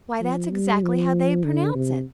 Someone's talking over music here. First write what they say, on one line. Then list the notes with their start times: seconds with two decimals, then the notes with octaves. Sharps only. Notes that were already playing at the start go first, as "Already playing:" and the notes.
"Why, that's exactly how they'd pronounce it!"
0.21 F3
0.52 G3
0.83 F3
1.44 D3
1.75 C3